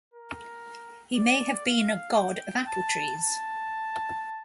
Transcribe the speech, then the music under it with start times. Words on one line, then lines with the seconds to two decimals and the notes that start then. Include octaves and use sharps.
He may have been a god of apple trees.
0.14 A#4
1.15 D5
1.66 F5
2.16 G5
2.67 A5
3.17 A5